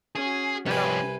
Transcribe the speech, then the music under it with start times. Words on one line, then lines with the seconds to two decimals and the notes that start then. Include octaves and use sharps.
I don't
0.15 C#4 F#4 G#4
0.66 C2 F3 C#4 B4 G5 G#5